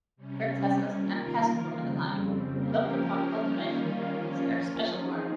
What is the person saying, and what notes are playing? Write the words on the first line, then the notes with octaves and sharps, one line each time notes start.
Princesses and peasant women alike looked upon cultivation as their special work.
C3 G3 C#4
D#3 A#3 F4 A#4
F2 C#3 G3 C4
F3 A#3 C#4 G4 A#4
D#3 G3 A#3 C#4 F4
F3 A#3 C#4 F4
F3 C4 D#4 G#4